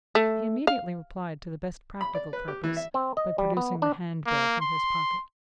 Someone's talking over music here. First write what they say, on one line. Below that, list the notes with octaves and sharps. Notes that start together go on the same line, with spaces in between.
He immediately replied, to the best practical purpose, by producing the handbill from his pocket.
A3
F5
B5
D5
B4
G4
E3
E5
C4
D#5
G3
B3
D4
A#3
C6